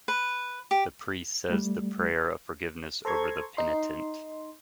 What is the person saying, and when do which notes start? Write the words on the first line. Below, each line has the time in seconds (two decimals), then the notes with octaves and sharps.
The priest says the prayer of forgiveness over the penitent.
0.08 B4
0.71 G4
1.50 G3 A3
3.05 A4 C5 A#5 C6 C#6 G#6
3.57 D#4 C6